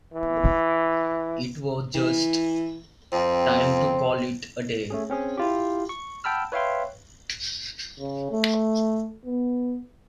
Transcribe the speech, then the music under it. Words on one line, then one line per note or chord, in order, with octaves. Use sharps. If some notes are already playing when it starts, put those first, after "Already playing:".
It was just... time to call it a day.
E3
E3
F2 C4
A3 C#4 G#4
C4 C#4 G#4
E4 F4 G4
C#6
F#5 G5 A5 B5 E6 F6
B4 C#5 E5 F5 G5 C6
C#3
A3
B3